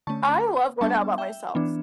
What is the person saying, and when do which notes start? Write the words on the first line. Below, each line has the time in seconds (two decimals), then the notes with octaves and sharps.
I love going out by myself.
0.07 D3 A3 C#4 A5 C#6
0.25 B5 D6
0.81 G3 B3 D4 A5 C#6
1.18 E5 G5
1.55 E3 B3 D4